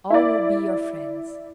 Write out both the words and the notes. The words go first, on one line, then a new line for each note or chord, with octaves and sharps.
All will be your friends.
E4 D5